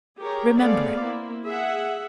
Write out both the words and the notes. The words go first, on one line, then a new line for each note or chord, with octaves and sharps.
Remember it.
G4 G#4 A#4 C#5
A3 B3 C4 G#4 D5 F5
A#3 C4 E4
G#4 E5 F#5